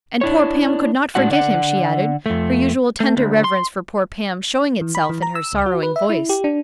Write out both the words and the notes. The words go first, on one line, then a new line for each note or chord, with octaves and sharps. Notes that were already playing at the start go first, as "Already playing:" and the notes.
"And poor Pam could not forget him," she added, her usual tender reverence for poor Pam showing itself in her sorrowing voice.
D4 E4 C#5
A2 G#3 D4 F#4 F#5
D3 D5 F#5
F2 A3
A3
D2
C6
E3
B5
E3
A#5
E6
C#2
F#4
B4
E5
E4
G4
D4